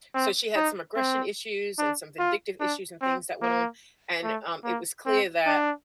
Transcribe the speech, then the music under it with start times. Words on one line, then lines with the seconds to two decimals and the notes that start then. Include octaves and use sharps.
So, she had some aggression issues and some vindictive issues and things that went on, and, um, it was clear that
0.14 C4
0.56 D#4
0.96 C4
1.78 D4
2.19 F4
2.60 D4
3.01 C4
3.42 A#3
4.24 A3
4.64 A#3
5.06 C4
5.46 D4